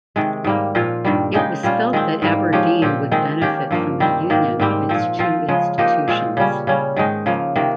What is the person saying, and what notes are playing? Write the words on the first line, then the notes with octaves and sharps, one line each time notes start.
It was felt that Aberdeen would benefit from the union of its two institutions.
C3 D#3 G#3
G#2 G3 A#3
A#2 F3 C4 F4
G2 D#3 G3
C#3 G#3 D#4 G4
A#2 G3 C#4 F4
D#3 G#3 C4
G#2 G3 A#3
F3 G#3 C#4 G4
A#2 F3 C4 G4
D#3 G#3 C4
D#3 A#3 C#4 G4
G2 F3 A#3
D#3 G3 C4
G#2 D#3 A#3
G#2 G3 C4 G4
A#2 F3 C4
F3 C4 F4
C#3 F3 G#3
F3 A#3 D#4 G4
A#2 G#3 C4 F4
C#3 G3 C#4
C#3 G3 C#4
G#2 D#3 G#3 D#4
C#3 F3 A#3
C3 D#3 A#3